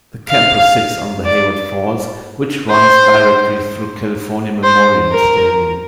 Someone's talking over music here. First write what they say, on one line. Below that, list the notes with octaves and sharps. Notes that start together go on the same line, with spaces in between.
The campus sits on the Hayward Fault, which runs directly through California Memorial Stadium.
F5
D5
C5
C5
A#4